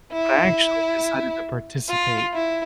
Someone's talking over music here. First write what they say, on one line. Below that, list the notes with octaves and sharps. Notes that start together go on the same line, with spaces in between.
but I actually decided to participate
E4
F4
E4